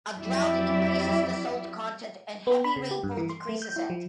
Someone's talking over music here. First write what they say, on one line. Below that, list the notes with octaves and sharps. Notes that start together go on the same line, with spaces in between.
A drought increases the salt content and heavy rainfall decreases it.
F2 F#3 E4 G4 D5 E5
B3
B5
C#3
G4
G2
E3
C6
A3
G6
E4
F3